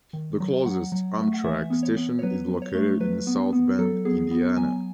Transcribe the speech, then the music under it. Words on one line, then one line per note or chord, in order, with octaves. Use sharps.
The closest Amtrak station is located in South Bend, Indiana.
D#3
F#3
F#3 F#5
F#3
A3
F#5
E3 E5
B3
C#5
B3
C#5
F#3 B4
F#3
C#5
A3
F#3 B4
B3
B3
F#3 A4
B3 G#4
B3
F#3 G#5